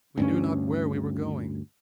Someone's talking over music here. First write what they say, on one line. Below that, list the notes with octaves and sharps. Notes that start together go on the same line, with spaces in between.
We knew not where we were going.
D2 G2 C#4